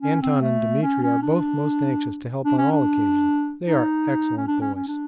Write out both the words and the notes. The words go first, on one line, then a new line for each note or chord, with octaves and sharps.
Anton and Demetri are both most anxious to help on all occasions; they are excellent boys.
C#4
C4
A3
C#4
C#4
D4
D4
C#4
D4
D#4
C#4
D4
C#4
C#4
D4